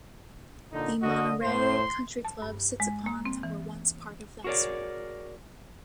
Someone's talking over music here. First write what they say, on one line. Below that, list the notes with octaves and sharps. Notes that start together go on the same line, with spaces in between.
The Monterey Country Club sits upon that were once part of that swamp.
A#2 D3 D#4
D3 F#4 D#5
A2 C5 C6
A5
G2
G#3
A#3
C4
E3
F#4 G#4 A#4 C#5 D5